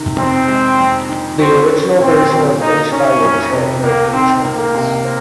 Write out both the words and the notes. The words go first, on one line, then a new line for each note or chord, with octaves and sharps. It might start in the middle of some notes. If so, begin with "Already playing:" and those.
The original version of "Inch by Inch" had no page numbers.
Already playing: C3 D#3
F2 C4
G#3
F2
D#3
C4 F#4
C#4
A#2 C4
F#3
A#3 D#4
D#3 C#4
F2
C3
C#2 A#3
D#3 C4
C#2 A#3
C3
C4